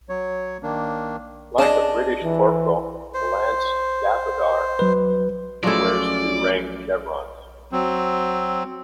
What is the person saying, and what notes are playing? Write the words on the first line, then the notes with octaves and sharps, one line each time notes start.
Like a British corporal, a lance daffadar wears two rank chevrons.
F#3 C#5
D#3 A#3 D4
D4 G#4 D#5 A5
E3
C5
F#3 B4
F3 F#3 G#3 A3 C#4 E4 D5
F#3 C4